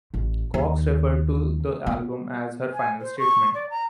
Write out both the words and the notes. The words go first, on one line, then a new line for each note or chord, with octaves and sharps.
Cox referred to the album as her "final statement".
A1
D#2
B3
G#5
C5
C#6
D5
A#5